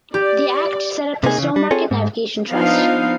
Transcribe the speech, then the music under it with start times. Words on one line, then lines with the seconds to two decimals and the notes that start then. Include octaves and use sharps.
The Act set up the Stowmarket Navigation Trust.
0.14 G4 D5
1.23 C3 A#3 D#4 G#4
1.38 C#3 E3
1.56 G3
1.71 C4 F4 G#4 A4 C#5
1.91 G#2
2.50 F3 B3 D4 D#4 F4 F5